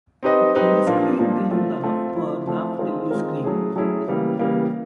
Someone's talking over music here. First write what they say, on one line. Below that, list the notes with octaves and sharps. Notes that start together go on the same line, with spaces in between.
You'll scream till you laugh, or laugh till you scream.
C4 D#4 G4 B4 D#5
C4 D#4 G4 B4 D#5
A#2 F3 A#3 D4
A#2 F3 A#3 D4
A3 C4 F4
A3 C4 F4
F3 A3 C4 E4
F3 A3 C4 E4
D#3 G#3 C4 F4 A#4
D#3 G#3 C4 F4 A#4
F#3 A3 C#4 E4 G#4
F#3 A3 C#4 E4 G#4
C#3 E3 G3 A#3
C#3 E3 G3 A#3